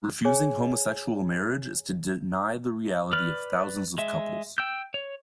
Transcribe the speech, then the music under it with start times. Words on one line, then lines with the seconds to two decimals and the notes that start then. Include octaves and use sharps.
Refusing homosexual marriage is to deny the reality of thousands of couples.
0.25 G#4 C#5 G#5
3.13 B4 D5 F6
3.98 G#3 E5
4.58 G5 E6 G6
4.94 C#5